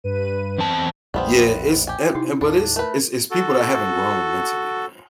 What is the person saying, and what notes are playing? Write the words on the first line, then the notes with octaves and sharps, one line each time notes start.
yeah, it's and and, but it's it's it's people that haven't grown mentally, man.
G2 B4 D#7
E2 C4 A5
A#1 E2 A2 G3 B3 C4
G4 G#5
C3 D#4 E4
D#2 A2 D4
A3 A#4 B4
F#4 A4